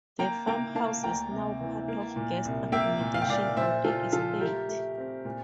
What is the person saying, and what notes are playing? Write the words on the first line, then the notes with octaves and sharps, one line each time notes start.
The farmhouse is now part of guest accommodation on the estate.
A#3 G5 A#5
A#3 G5 A#5
A#3 F5 A5
D2 G5 A#5
C3
E3
A#3
A#2
C2
A#3 E5 G5
A#2
F5
G5
A#2 D5 F5
A#2 C5 E5
A#2 F4 A4
F3 F4 A4
A3 G4 A#4
A3
C4
A#2